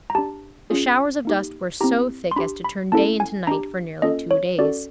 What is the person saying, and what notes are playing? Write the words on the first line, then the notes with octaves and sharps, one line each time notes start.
The showers of dust were so thick as to turn day into night for nearly two days.
A#5
D4 G4 A5
C#4 F4 G#4
A#3 D#4 G4
C4 E4 G4 A#5
C6
D4 G4 B5
B5
A#3 C#4 E4 A4 A5
G#5
D4 G4 A#5
A#3 C#4 F4 A4 D#5
C#5
C#4 F#4 A4 D5